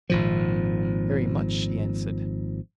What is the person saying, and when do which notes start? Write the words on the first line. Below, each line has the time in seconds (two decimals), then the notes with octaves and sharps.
"Very much," she answered.
0.10 G#1 A#2 F3